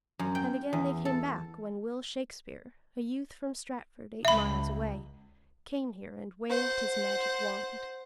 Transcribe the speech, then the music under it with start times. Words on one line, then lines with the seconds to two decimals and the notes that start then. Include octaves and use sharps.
And again they came back when Will Shakespeare, a youth from Stratford, eight miles away, came here and waved his magic wand.
0.19 F#2
0.35 G5
0.73 E2
1.05 A4
4.25 C#2 E5 B5
6.49 C5 F#5